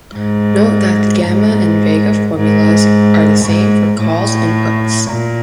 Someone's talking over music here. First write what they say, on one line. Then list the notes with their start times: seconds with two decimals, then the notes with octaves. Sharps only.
Note that the gamma and vega formulas are the same for calls and puts.
0.16 G#2
1.26 G#2
2.36 G#2
3.45 G#2
4.00 A2
5.10 A#2